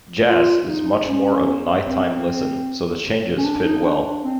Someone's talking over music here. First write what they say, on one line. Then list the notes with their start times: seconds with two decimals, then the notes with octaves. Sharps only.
Jazz is much more of a night-time listen so the changes fit well.
0.28 F4
0.67 D#4
1.06 C#4
1.86 C4
3.38 C#4
3.45 D4
3.63 D#4
3.83 D4
4.03 D4
4.24 C4